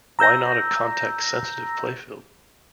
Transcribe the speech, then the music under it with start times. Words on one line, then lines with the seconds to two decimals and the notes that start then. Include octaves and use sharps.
Why not a context-sensitive playfield?
0.19 A#5 E6 G6 A#6